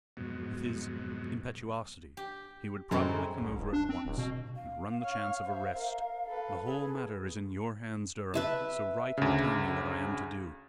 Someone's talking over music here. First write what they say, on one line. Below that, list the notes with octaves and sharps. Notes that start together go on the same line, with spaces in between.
With his impetuosity, he would probably come over at once, and run the chance of arrest. The whole matter is in your hands, Durham, so write and tell me what I am to do.
F2 G#2 B2 F#3
G4
F#2 A2 G#3 C4
C2
D1
D4
C4
D1
B2
F5
C#5 F6
C5 E5
A#4
A4 B4
G#4
B4 E5 A5
D2 C#3